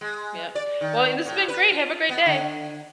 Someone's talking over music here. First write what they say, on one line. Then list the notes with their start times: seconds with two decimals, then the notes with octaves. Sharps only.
Yep. Well, it this been great, have a great day.
0.01 G#3
0.55 D5
0.81 D#3
1.26 A2
1.48 B4
1.71 F4
2.09 B3
2.26 D3